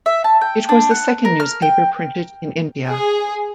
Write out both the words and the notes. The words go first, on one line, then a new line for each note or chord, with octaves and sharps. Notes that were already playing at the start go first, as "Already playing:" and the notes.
It was the second newspaper printed in India.
E5
A5
G5
D4
F#5
A#4
F6
G5
G#4